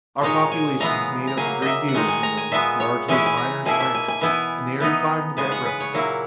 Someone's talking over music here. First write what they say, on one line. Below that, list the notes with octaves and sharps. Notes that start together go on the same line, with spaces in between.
Our population is made up a great deal, as you know, largely of miners and ranchers, and they are inclined to bet recklessly.
A#2 G#3 D#4 C#5
G#5
C#3 E3 G#3 B3 A#5
A#5
C#3 F#3 A#3 G#5
D#5 E5
F#5
D#3 G#3 D#4 G#5
G#5
A#5
G#5
A#2 G#3 B3 E5
C#5
E3 G#3 C#4 E4 G#5
G#5
A#5
B2 A#3 E4 G#5
E5
G#5
G#5
E3 B3 E4 G#5
E3 B3 D#4
C#3 G#3 B3 G#5
F#5
B4
C#5
A#2 F#3 A#3 E4